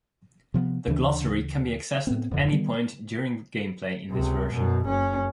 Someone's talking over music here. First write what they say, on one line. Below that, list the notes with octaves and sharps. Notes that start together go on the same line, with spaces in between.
The glossary can be accessed at any point during gameplay in this version.
C3 F3 F#3 B3
D2 C#3 E3 D4
A2 B3 C4
D1 F2 D3
D#3 G3 B3
C#2 C3
F#2 B2
F#1 C#4